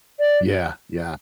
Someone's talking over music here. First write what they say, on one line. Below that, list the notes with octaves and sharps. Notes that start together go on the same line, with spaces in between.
Yeah, yeah.
D5